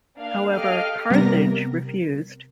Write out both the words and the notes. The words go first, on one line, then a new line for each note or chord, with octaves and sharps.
However, Carthage refused.
A#3 D4 F5
G4 A4 D#5 F5 D6 F6
C3 G3 B3 A#4 A#6